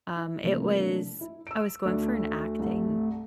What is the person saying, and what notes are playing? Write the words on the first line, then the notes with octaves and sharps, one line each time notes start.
um, it was I was going for an acting
E4
C3 E3 F3 G3 A3 A#3
D4
E4
E6 D7
D2 A3 D4
C2 G2